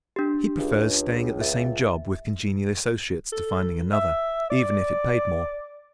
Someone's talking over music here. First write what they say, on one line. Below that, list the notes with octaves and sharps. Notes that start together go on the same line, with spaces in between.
He prefers staying at the same job with congenial associates to finding another even if it paid more.
D4 G4
C#2
E5
A4
E5
D5